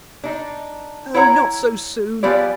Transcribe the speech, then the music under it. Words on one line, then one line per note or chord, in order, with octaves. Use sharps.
'Oh, not so soon!
D4 D#4
E4 C#5 F#5 A#5
F3 G3 B3 G#4 B4 D5